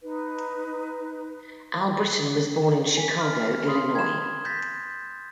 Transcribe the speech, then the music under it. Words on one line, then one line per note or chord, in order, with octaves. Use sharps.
Albritton was born in Chicago, Illinois.
D#4 B4
G#5 B6
F6
B5 C6 D#6 C7
G#6 E7
G6 A6 B6